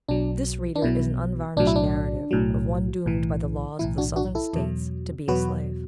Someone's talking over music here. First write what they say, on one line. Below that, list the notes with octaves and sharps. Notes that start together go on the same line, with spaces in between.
This, reader, is an unvarnished narrative of one doomed by the laws of the Southern States to be a slave.
B1 B2 F#3 D4
D4
B1 B2 F#3 E4
B1 A2 F#3 D4
E4
D4
B1 A2 F#3
B1 A2 E3
B1 A2 E3 E4
D4 F#4
D4 F#4
E4 A4
E2 B2 F#3
E2 B2 F#3 F#4 B4